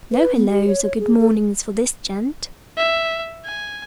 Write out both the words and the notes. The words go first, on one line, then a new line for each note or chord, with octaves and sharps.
No hellos or good mornings for this gent!
B4
B3
G4
C#5
C#5
G#4
A4
E5
G#5